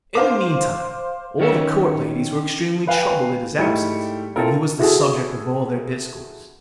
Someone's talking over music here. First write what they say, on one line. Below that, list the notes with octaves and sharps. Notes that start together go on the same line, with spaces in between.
In the meantime all the court ladies were extremely troubled at his absence, and he was the subject of all their discourse.
C5 F5 D6
D#3 C#4 C#5 E5
B4 F5 G5 G#5
G#2 G3 A3 E4 G5 C#7
C4 E4 F4 A4 A#4
E4 F#4 G#4 A4